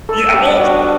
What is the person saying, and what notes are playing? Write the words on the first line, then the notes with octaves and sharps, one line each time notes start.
Yeah, all the time.
A4
G3 B3 D4 G4
F#4